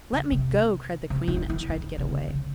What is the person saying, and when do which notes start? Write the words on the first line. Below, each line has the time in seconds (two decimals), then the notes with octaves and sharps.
"Let me go!" cried the Queen, and tried to get away.
0.12 C#3
0.32 C3
1.10 C3
1.28 E3
1.37 D#3
1.50 E3
1.69 D#3
1.98 C3
2.09 C#3
2.28 C#3